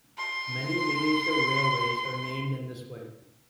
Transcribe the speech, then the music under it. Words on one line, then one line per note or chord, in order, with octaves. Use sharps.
Many miniature railways are named in this way.
C6